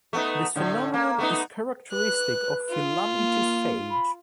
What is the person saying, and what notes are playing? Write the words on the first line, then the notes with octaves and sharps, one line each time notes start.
This phenomenon is characteristic of filamentous phage.
A3 B3 D#4
A2 D3
A#3
A3 B3 D#4
B4 F#6
F4
A#3
B5